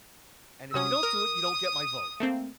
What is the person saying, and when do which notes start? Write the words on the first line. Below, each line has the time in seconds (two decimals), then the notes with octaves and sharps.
"And if you don't do it, you don't get my vote."
0.74 C3 F#3 C#4 D#6
1.03 A#4
2.20 A3 A#3 C4